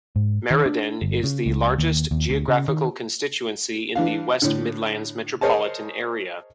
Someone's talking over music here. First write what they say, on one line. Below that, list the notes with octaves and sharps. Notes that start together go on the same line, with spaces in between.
Meriden is the largest geographical constituency in the West Midlands metropolitan area.
G#2
D#3
D4
G1
C#3
C#2
D#2
D#2
D2
C#3
D#3
E3 D4 F5
A2 D3
G#4 A#4 C5 C#5 D#5 A5